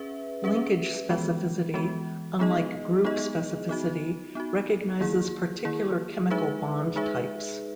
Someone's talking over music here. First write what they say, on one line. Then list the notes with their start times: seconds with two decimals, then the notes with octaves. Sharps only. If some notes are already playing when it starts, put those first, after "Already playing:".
Linkage specificity, unlike group specificity, recognizes particular chemical bond types.
Already playing: C#4 G#4 B4 E5
0.44 C#4 G#4 B4 E5
1.09 E3 G#3 B3 F#4
1.74 E3 G#3 B3 F#4
2.39 G#3 B3 D#4 G#4 D#5
3.04 G#3 B3 D#4 G#4 D#5
3.69 B3 D#4 F#4
4.35 B3 D#4 F#4
5.00 D#3 A#3 E4 G#4
5.65 D#3 A#3 E4 G#4
6.30 G#3 D#4 G#4 B4 E5
6.96 G#3 D#4 G#4 B4 E5